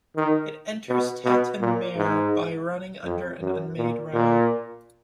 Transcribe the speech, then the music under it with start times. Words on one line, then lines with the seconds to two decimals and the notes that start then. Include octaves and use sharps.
It enters Tatton Mere by running under an unmade road.
0.16 D#3
0.89 B2
1.25 B2
1.61 A#2
1.97 G#2
3.05 F2
3.41 F#2
3.77 A#2
4.13 A#2